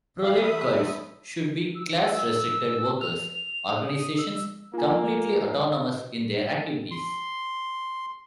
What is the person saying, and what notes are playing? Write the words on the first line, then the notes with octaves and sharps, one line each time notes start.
'Proletkults' should be class-restricted, workers' organizations, completely autonomous in their activities.
E3 F5
E2 E5 B5 D#6
E6
E6
F7
D#6
E6
A#3 F4 G#5
C6